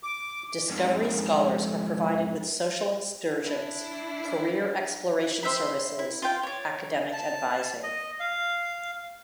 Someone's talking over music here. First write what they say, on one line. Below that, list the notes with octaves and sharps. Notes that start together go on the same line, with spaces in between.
Discovery Scholars are provided with social excursions, career exploration services, academic advising.
D6
F2 G#2
D4 E4
C5 E5 G5 B5
E4
F4 G5
C#5 D5
A5
D#5
F5